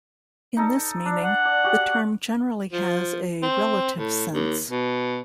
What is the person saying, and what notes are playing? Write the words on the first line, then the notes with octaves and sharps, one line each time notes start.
In this meaning, the term generally has a relative sense.
D#4 A4
D4
F#5
D5
F#4 G4
F3
C4
A2
D#2
B2